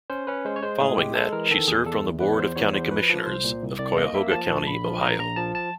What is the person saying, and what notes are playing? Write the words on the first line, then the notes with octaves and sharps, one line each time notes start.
Following that, she served on the Board of County Commissioners of Cuyahoga County, Ohio.
C#4 C5
C#4 B4
G#3 C5
C#5
G#3 C5
A2 G#4
G#3 G4
G#3 A4
E3 A#4
D#3 A4
E2 G#4
E2 A4
E2
E2 B4
C#5
E2 C5
E2 C#5
E2 C5
F3 B4
F3
C2 C5
A#2
C2
C2 D5
A#3 D#5
A#3 E5
F3 A5
A#1
A#1 B5
F3
A#1 A#5
A#1 A#5
F3 A5
A5